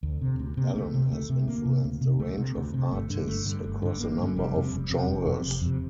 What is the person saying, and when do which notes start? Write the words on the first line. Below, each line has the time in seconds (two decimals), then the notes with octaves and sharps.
Allen has influenced a range of artists across a number of genres.
0.03 D2
0.21 C3
0.39 D2
0.57 C3
0.64 A#3
0.75 D2 A3
0.94 C3
1.12 D2 A3
1.29 C3
1.47 D2 A#3
1.65 C3
1.84 D2
2.01 C3
2.19 D2 A3
2.37 C3
2.55 D2
2.74 C3
2.91 G1 A3
3.09 G2 D3
3.27 G1 A3
3.46 G2 D3
3.64 G1
3.82 G2 D3
3.99 G1 A#3
4.18 G2 D3
4.36 F1 G3
4.54 F2 C3
4.71 F1
4.90 F2 C3
5.08 F1
5.26 F2 C3
5.44 F1
5.62 F2 C3